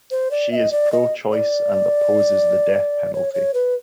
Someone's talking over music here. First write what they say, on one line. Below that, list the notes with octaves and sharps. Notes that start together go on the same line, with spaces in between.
She is pro-choice and opposes the death penalty.
C5
D5
E5
D#5
D5
D#5
D5
C#5
C#5
B4